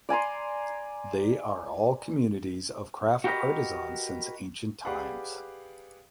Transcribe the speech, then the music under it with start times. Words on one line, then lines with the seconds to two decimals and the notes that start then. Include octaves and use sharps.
They are all communities of craft artisans since ancient times.
0.09 D5 G#5 A#5 C6
3.24 F#4 G4 A#4 B4 D#5 A#5
4.85 G4 G#4 B4 D5 F5 F#5